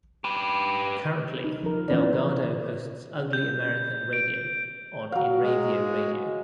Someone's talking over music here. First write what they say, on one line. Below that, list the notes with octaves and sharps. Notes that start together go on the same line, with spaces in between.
Currently, Del Gado hosts "Ugly American" Radio on Inravio Radio.
G4 B4
D#4
F3 D#4 A#4
E3 B3 C#4 B4 D5
G6
D7
F#3 F5
G#3